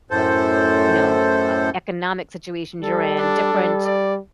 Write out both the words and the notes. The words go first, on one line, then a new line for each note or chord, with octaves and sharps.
you know, m e economic situations you're in, y ge different
F#2 A2 A4 C5
G3 A4
D4
G3
D5